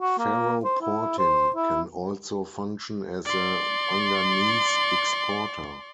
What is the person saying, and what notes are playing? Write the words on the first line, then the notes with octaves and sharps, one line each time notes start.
Ferroportin can also function as a manganese exporter.
F#4
A#3
C5
E4
C5
E4
D5 C6